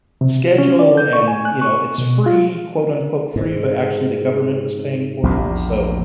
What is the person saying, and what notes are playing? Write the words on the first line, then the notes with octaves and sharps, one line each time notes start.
schedule, and, you know, it's free, quote unquote "Free," but actually the government was paying for it, so,
C3
C#4
D5
G6
C#6
G#5
F#6
C#6
B2
F4
G#2
A#1 E2 A#2